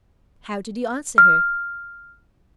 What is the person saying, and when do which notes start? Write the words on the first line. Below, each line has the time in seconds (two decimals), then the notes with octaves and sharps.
How did he answer her?
1.18 F6